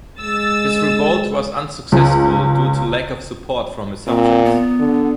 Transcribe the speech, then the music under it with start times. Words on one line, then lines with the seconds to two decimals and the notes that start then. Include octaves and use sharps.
His revolt was unsuccessful due to lack of support from his subjects.
0.20 G#3 E6 A6
1.92 C#2
4.07 A#2 C4
4.45 B3
4.79 D3